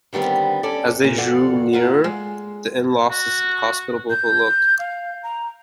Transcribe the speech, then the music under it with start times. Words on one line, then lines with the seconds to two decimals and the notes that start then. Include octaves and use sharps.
As they drew nearer, the inn lost its hospitable look.
0.13 D3 D#3 G3 B3 C4
0.63 C#4 A4 D5
1.04 A#2
1.17 F2 A4 D5 F5 F#5
1.73 A#3 F4 F#5
2.04 G#3
3.10 F#4
4.10 G6
4.79 F5
5.23 A#5